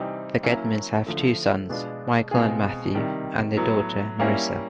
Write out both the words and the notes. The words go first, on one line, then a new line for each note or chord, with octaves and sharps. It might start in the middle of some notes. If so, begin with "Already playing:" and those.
The Gedmans have two sons, Michael and Matthew, and a daughter, Marissa.
Already playing: C3 E3 G3 C4 D#4
F#3 A#3 C#4 E4
D3 F3 A3
B2 G#3 B3 D4 F4
B2 G#3 C4 F4 G#4
C3 D#3 G3
A2 F#3 B3
G3 A#3 C#4 E4